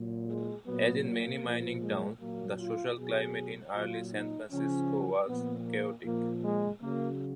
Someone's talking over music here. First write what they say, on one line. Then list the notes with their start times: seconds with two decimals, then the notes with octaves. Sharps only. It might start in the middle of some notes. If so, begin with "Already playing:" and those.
As in many mining towns, the social climate in early San Francisco was chaotic.
Already playing: A#2 F#3
0.28 G#3
0.66 A#2 F#3 B3
1.04 A#3
1.43 A#2 F3
1.81 G#3
2.20 A#2 F#3 A#3
2.59 F4
2.97 B2 F#3 G#4
3.73 A#2 F#3 F4
4.13 D#4
4.51 C#3 F3 C#4
5.27 A#2 F3 B3
5.66 A#3
6.05 A#2 F3 A#3
6.42 G#3
6.80 C#3 F#3 A#3